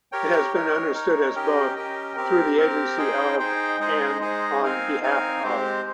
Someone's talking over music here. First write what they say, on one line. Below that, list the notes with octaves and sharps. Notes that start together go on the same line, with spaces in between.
It has been understood as both "through the agency of" and "on behalf of".
G4 A#4 C#5 G5
D#4 A#4 C#5
D#4 A#4 C#5
C#4 G4 A#4 D#5 G5
C#4 G4 A#4 D#5 G5
C4 G4 A#4
C4 G4 A#4
D#4 G#4 C5 G5
D#4 G#4 C5 G5
G#3 D#4 G#4 C5 D#5
G#3 D#4 G#4 C5 D#5
C4 D#4 A#4 F5 G#5
C4 D#4 A#4 F5 G#5
G#3 C4 G4 C5